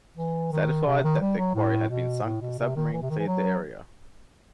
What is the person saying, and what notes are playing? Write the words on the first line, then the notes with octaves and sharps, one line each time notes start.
Satisfied that their quarry had been sunk, the submarine cleared the area.
E3
D#3
C3
D#3
G3
F#3
A2
B2
A2
B2
C3
D#3
E3
C3
D#3
E3
F#3